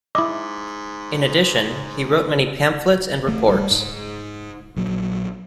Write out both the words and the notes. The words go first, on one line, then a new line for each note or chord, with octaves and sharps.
In addition, he wrote many pamphlets and reports.
G#2 E4 D#5 D6
A1 A3
G3
G#2
A#1 F#3